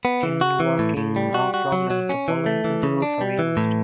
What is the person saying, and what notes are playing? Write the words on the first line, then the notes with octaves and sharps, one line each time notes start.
In working out problems, the following principles are used.
B3
E3
F#4
E3
A2
A2
G3
F#4
F#4
F#3
F#3
C#4
E3
A3
E3
C#3
D4
G3
E3
A2